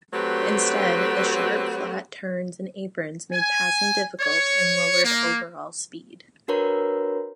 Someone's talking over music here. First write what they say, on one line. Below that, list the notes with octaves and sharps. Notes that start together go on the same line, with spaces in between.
Instead, the sharp, flat turns and aprons made passing difficult and lowered overall speed.
F#3 A3 C4 F#4 G4 B4
G#5
C#5
A#3
D4 F#4 A#4 B4 C#5 A#5